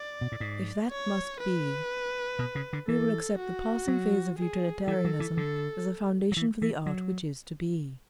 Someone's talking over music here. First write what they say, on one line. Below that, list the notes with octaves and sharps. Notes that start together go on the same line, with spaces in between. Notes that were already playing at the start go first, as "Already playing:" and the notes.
If that must be, we will accept the passing phase of utilitarianism as a foundation for the art which is to be.
Already playing: D5
B2
A2
G#2
C#5
B4
B2
C#3
D3
E3 A4
F#4
F#3
G#4
E3 A4
F#3
E3
D3 A4
F#3
E3
E3
F#3